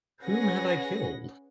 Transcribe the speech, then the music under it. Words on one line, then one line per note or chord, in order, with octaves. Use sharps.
Whom have I killed?
C#4 G#4 B4 F#5 A#6